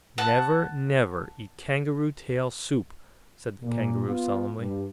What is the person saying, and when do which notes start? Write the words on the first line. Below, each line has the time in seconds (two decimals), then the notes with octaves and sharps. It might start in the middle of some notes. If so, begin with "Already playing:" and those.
"Never, never eat kangaroo-tail soup!" said the Kangaroo, solemnly.
0.18 F#5 A5
3.63 A#2
4.07 B3 F4
4.58 G2